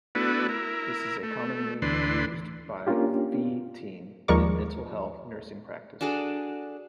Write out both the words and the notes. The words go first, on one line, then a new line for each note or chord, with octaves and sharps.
This is a commonly used by Fee Team in mental health nursing practice.
A3 B3 D4 E4 F#4 B4
E4 A#4
A3
D2 E3 D4 B4 C6
A#3 C#4 D4 F4 G4
D#2 F3 G#3 A#4 D5 C#6
D4 F#4 G#4 A4